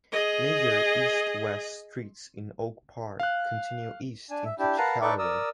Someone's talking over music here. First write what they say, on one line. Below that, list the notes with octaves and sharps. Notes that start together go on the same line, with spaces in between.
Major east-west streets in Oak Park continue east into Chicago.
G#4 D#5
F5 F#6
D4 G#5
E5
D4 E4 G4
A#4 B4 F5 F#5 A5 A#5
D#4 A4 B4 D5 C#6 D6
A#4 D5 D#6 E6